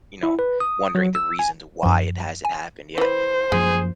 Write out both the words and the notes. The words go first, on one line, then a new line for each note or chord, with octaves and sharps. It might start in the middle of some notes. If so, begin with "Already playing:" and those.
you know, wondering the reasons why it hasn't happened yet.
E4
B4
D#6
F#3
E6
G#5
F#2 F3
G#5
E3 B4 C5
F#2 F3 G#3 A#3 G#4